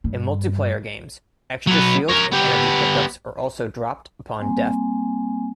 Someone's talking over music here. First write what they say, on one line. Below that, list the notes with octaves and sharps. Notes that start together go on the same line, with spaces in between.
In multiplayer games, extra shield and energy pickups are also dropped upon death.
G2
F#3 B3
A#4 C#5
B3 G4
G3 A#3 C4 G#5